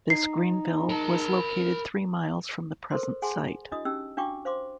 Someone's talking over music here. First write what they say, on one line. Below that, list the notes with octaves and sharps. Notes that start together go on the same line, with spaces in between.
This Greenville was located three miles from the present site.
D#4 C7
A#4 A5
A4 A#4 C5 C6
G#4 F#5 G#5 A5 C6
D4 E4 F#4 D#5 D#6
C#4 D#4 G4 E6
D4 F#4 F5 G5 C#6 D6
C5 F5 C6 D6